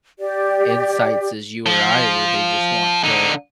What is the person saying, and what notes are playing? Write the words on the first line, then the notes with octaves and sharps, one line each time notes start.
insights as you or I where they just want to
G4 D5
F3
D3 D#4